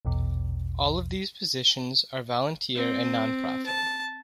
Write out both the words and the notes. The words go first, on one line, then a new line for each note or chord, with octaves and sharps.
All of these positions are volunteer and nonprofit.
A#1 E2 B2
C4
A5